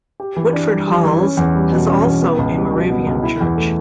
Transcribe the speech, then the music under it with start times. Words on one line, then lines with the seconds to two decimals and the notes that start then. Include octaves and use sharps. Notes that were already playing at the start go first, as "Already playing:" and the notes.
Woodford Halse has also a Moravian Church.
0.20 G4
0.37 E3
0.53 D4
0.70 G3
0.87 G4
1.04 E3
1.21 C#4
1.37 E2
1.55 G3
1.71 B2
1.88 C#4
2.05 E2
2.22 B3
2.39 C#2
2.55 G3
2.72 B2
2.90 B3
3.07 C#2
3.23 E4
3.41 E2
3.57 A3